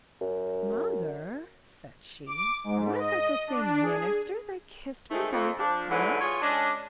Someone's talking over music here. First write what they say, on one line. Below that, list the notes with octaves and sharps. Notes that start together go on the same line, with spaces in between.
"Mother," said she, "was that the same minister that kissed me by the brook?"
F#2
D6
G#2
D#5
D4
G#4
D#3 G#3 A3 C4
F2
F3 D4
G#2 D3 E3 F#3
F4 G#4 C#5
G#3 C#4 D4